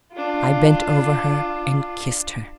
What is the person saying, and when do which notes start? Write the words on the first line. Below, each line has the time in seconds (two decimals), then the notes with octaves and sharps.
I bent over her and kissed her.
0.13 D4 F4